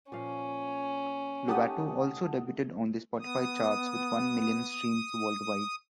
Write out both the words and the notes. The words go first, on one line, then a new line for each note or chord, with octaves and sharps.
Lovato also debuted on the Spotify charts with one million streams worldwide.
A#2 F3 C#4 F5
A3 D#4 G4 F#5 A5 D#6
B3 D#6